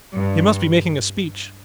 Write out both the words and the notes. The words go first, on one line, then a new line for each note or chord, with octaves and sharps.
He must be making a speech.
G2